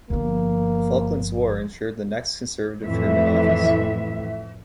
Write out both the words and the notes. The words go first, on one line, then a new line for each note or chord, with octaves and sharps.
The Falklands War ensured the next Conservative term in office.
G1 F3 A#3
F2 A2 E3 E5